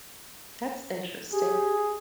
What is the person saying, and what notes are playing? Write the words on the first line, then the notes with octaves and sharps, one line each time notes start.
That's interesting.
G4 G#4